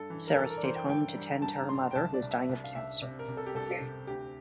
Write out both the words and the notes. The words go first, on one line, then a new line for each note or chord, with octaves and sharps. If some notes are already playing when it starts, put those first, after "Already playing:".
Sarah stayed home to tend to her mother, who was dying of cancer.
Already playing: G2 A4
E3
A#4
E3 A4
A#4
D5
E3 C5
G5
G2 G5
G3
G2 A5
A#5
G2 C6
G5
C2 A5
D5
C2
E5
C2
F5
C2 E5
C3
A#4
C3
A4
G4
C2 A4
C3
D2 G4